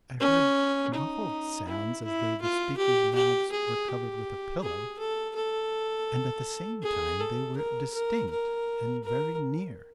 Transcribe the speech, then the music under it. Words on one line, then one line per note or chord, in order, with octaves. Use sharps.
I heard muffled sounds as though the speakers' mouths were covered with a pillow, and at the same time they were distinct and very near.
C#4
D#4
E4
E4
F4
G4
G4
G#4
G4
G#4
A4
A4
G#4
A4
A#4
A#4
A#4
A#4